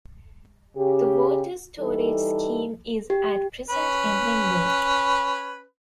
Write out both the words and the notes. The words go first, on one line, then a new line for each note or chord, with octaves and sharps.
The water storage scheme is at present in limbo.
C#3 G4
E3 G3 D#4 A4
G4
C#4 B4